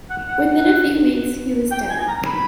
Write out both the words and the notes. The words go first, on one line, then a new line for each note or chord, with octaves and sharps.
Within a few weeks, he was dead.
F#5
F#5
G5
G#5
A#5
B5